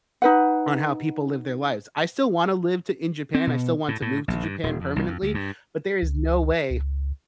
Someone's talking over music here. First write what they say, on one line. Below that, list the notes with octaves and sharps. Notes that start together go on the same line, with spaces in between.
on how people live their lives. I still wanna live t in Japan, I still want to move to Japan permanently, but there is no way
D#4 B4 F#5
C4
B2
A2
A2
A#1
G2
D#1
F2
C2
F2
D2
G2
C#2
C#2